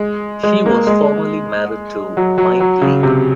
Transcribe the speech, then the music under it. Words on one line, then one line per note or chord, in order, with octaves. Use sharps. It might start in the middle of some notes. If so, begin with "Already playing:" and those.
She was also formerly married to Mike Lee.
Already playing: G#3
G#3
A#3
G#3
F#3
F#3
F#3
C#3
C3